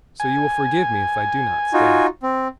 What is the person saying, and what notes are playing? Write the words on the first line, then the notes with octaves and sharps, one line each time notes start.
"So you will forgive me if I do not stay."
G#5
D#4 F4 F#4
C4